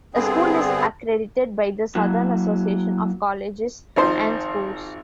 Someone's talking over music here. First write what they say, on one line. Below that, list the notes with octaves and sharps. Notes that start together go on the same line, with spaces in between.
The school is accredited by the Southern Association of Colleges and Schools.
G2 D3 B3 C4 G#4
F#3 A#3 E4 F#4
G#1 F3 D#4 C5